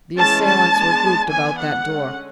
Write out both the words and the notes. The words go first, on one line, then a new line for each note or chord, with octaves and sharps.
The assailants were grouped about that door.
E3 G#3 C#4 A5
A5
G#3 B3 D4
E3 B3 D4 G#5
F#5
D3 G#3 C#4